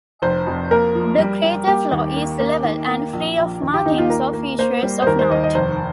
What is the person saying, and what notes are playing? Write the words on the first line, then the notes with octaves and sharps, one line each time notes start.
The crater floor is level and free of markings or features of note.
F1 C5
F2
A#3 A#4
F3
G3
G3
A#3 G4
D#2
A#3
A#3
D#3
A#3
A#1
A#1
D#2
G4
D#2 D#4
F4
A#3 A#4
A#3
A#3 C5
G3
C5
D#2 A#4
C5
D#2 D#5
D#5
F1 C5